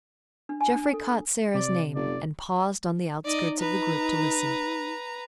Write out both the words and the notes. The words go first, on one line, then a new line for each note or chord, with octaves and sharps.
Jeffrey caught Sara's name and paused on the outskirts of the group to listen.
D4
G#5
D4
A4
C3 D5
F#1 D5
D#4 D5 D#5
B4 A#5